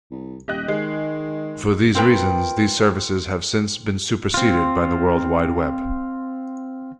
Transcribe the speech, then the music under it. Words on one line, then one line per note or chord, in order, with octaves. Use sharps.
For these reasons, these services have since been superseded by the World Wide Web.
C2
D#1 G4 D#5 F#6
D#3 G#3
C4 F4 A#4 B4 G5
C4 F4